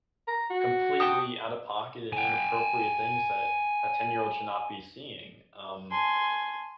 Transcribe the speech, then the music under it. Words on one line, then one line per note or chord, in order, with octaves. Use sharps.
completely out-of-pocket and inappropriate things that a ten-year-old should not be seeing, um,
A#5
F#4
G5 A5 D#6
G5 G#5
G#5 A5 C6 C#6